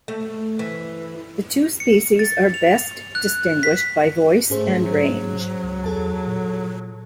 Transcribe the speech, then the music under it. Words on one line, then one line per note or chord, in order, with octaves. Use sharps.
The two species are best distinguished by voice and range.
A3
E3
C#7
A6
F7
F#6
B6
G#2 A3 C#4 G#4 C5
F#3
C#2
E2 G#4 A4 A5
A#2